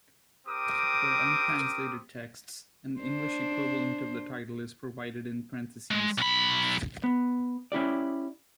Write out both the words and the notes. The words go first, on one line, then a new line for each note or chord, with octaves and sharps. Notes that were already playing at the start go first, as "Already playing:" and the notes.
For untranslated texts, an English equivalent of the title is provided in parentheses.
C4 G4 A#4 D6 D#6
D4 C5
G#3
B1 B5
B3
C#4 E4 G4 D5